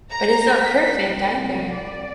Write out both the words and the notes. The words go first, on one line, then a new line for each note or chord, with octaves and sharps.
but it's not perfect either.
A#5
B6
C2
D5